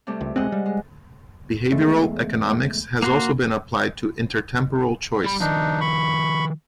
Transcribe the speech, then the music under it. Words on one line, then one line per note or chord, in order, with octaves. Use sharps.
Behavioral economics has also been applied to intertemporal choice.
C3 G3 A3
C#2
E1 C2 G#3 C4 D#5 F#5
G3
G#3
E2 G#3 A3
A#3 F#4 C6
G3 B5
D#3 F3 D4 D#4
B5 C#6